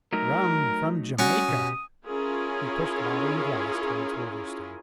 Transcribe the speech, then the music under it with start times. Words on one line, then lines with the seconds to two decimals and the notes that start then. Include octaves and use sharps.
"Rum, from Jamaica." He pushed bottle and glass towards Wolverstone.
0.13 F#3 A3 D#4 A#4
1.19 G3 A3 C#4 F#4 D#6
1.48 B2 G4
2.06 C#4 E4 F4 G#4 A#4